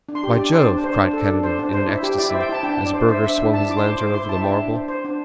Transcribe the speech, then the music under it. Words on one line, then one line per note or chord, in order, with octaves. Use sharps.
"By Jove!" cried Kennedy in an ecstasy, as Burger swung his lantern over the marble.
D4
C6
G4
D4 D5
C5
D4
C5
D4
A4
D4
C5
D4
C5
E4
G4
E4 D5
C5 E5
G5
E4 A5
D4 G5
D4
D5
C5
C5 E5
D4 E5
D4 E5
E4 A5
E4 D6
C6
C5
C5 D6
E4 C6
E4 A5
E5
D4 G5
D4
C5
C5
D4